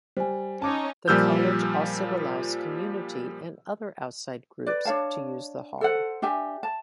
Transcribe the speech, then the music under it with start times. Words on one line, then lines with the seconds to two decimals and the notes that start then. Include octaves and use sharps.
The college also allows community and other outside groups to use the hall.
0.17 G3 C5 G#5
0.62 C#4 D#4 C#5 A5 D6
1.08 A#2 F3 G3 E6 F6 G6
4.66 B4 D5
4.85 D4 C#5 F5 A5
5.81 A4 C5 F#5
6.22 D4 G4 E5 G#5
6.63 A5